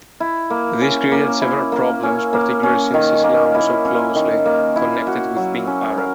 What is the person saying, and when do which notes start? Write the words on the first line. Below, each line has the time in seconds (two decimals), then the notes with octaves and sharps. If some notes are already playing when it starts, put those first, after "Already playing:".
This created several problems, particularly since Islam was so closely connected with being Arab.
0.20 E4
0.50 A#3
0.82 C#4
1.12 A#3
1.42 E4
1.72 A#3
2.03 C#4
2.33 A#3
2.63 C#4
2.94 D#3
3.24 A#3
3.54 E4
3.85 C#4
4.15 D#3
4.45 A#3
4.76 E4
5.07 F#4
5.36 F#3
5.67 C#4
5.97 A#4